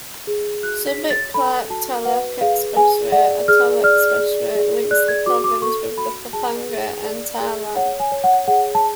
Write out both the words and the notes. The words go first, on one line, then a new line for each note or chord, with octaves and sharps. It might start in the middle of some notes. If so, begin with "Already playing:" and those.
Subic-Clark-Tarlac Expressway, a toll expressway, links the province with the Pampanga and Tarlac.
G#4
F#4 F#6
B6
C#5
A6
A4 B5
F#4 A5
B4 F#5
G#4 F5
G#4 G#5
D5 F#5
G#4 F6
D5 F6
G#4
G#4
D5 F#6
G#6
F#4 D6
D6
A4 C#6
F#4 B5
G#4 A5
G#4
D5
G#4
C#5 F#5
G#5
C#5
F#5
G#4 F#5
A5